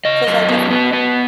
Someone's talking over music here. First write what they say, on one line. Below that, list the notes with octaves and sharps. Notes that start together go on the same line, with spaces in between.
'Cause I def
C#3 D#5
F#2
B3
B3
B3